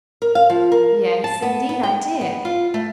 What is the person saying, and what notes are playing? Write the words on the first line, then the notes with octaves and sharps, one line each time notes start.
"Yes, indeed, I did."
A#4
F5
F3
A#4
A5
B3
B3
G5
B3
F4
A3